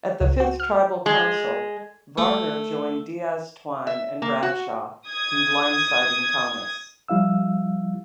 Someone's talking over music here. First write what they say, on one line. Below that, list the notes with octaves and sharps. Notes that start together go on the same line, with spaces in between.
At the fifth Tribal Council, Varner joined Diaz-Twine and Bradshaw in blindsiding Thomas.
C#2
F#4
F6
G#3
A3
E5
A#3
F#4
D#6 G#6
F3 G3 E4 F5 E6